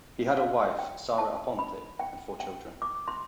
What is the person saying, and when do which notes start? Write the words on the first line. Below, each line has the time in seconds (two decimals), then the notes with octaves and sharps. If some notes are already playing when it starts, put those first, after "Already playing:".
He had a wife, Sara Aponte, and four children.
0.37 F5
0.79 G5
1.18 A5
1.59 B5
2.00 G5
2.40 G5
2.82 D6
3.08 C6